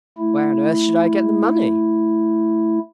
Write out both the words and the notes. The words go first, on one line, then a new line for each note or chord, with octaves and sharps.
"Where on earth should I get the money?"
A3 E4